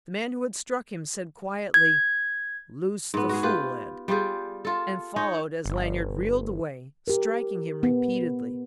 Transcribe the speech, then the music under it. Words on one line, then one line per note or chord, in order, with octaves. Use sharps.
The man who had struck him said quietly, "Loose the fool, Ed," and followed as Lanyard reeled away, striking him repeatedly.
G#6
G#2 B3
F#4 G#4
F4 G4 B4
G3 F4 G4 G#4
F4 A4
D#4 C#5
G1
G4 A#4
B3